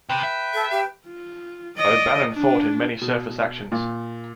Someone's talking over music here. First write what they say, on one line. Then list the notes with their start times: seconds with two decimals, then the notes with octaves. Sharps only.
"O'Bannon" fought in many surface actions.
0.09 C3 B4 G5
0.23 E5
0.54 A4
0.71 G4
1.07 F4
1.78 D5 D#5
2.33 D4
3.01 B2
3.72 A#2